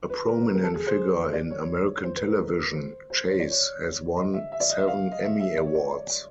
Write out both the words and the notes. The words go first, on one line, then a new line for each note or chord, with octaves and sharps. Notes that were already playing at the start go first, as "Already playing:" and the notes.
A prominent figure in American television, Chase has won seven Emmy Awards.
B4
A#4
A#4
A4
G#4
C5
D5
C#5
C5
B4
A#4
C5
C5
C#5
D5
C#5
D#5
E5
E5
D5
D#5
E5
F5
D#5
E5
E5
D5
C#5
D5
C#5